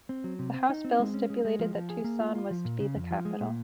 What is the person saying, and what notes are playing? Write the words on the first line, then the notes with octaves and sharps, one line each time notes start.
The house bill stipulated that Tucson was to be the capital.
C4
F#3
C3
C4
D#4
C4
G#3
C#4
G#3
G#3
F3
F3
G#4
A#3
F4
F4
F3
A#2
C#3
F2
F3
G#3
A#2